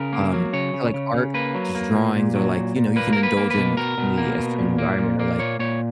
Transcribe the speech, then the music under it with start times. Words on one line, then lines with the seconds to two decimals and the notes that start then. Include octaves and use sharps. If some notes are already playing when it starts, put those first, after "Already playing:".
um, I feel like art just drawings are like, you know, you can indulge in only a certain environment, or, like,
Already playing: C#3 A#4
0.13 A#3
0.33 F#3
0.53 C#3 C#5
0.74 C#3
0.94 C#3
1.14 C#3
1.34 A#3 B4
1.55 F#3
1.75 A#3
1.95 A#2
2.15 A#2
2.36 F#3
2.56 A#2
2.76 A#2
2.96 A#3 B4
3.13 A#3 A#4
3.23 B4
3.37 A#3
3.51 B4
3.57 B2
3.77 B2 A#4
3.98 B2
4.18 A#3
4.38 B2
4.59 A#2
4.78 A#3
4.99 A#2
5.19 A#3
5.39 A#2 C#5
5.59 A#2 C#5